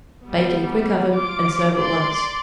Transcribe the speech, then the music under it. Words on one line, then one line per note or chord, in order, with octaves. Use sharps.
Bake in a quick oven and serve at once.
G3 B3
F4 D6
D5 C6